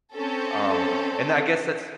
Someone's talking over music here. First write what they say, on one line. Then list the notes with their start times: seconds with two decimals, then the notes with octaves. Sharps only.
Um, and then I guess that's
0.14 C4 C#4 A4